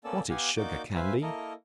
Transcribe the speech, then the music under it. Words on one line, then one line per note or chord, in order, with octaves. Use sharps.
What is Sugar Candy?
A#3 B3 C#4 A4 D5 E6
B3 G4 F5 F#5 G#5
A#3 D#4 F#4 D5 D6 G6
B4 C5 E5 F5 G#5 B5
A#3 E4 A4 A#4 D#5